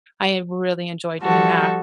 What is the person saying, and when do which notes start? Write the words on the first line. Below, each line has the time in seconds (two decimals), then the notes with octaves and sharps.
I really enjoy doing that,
1.20 F3 G3 F#4 A4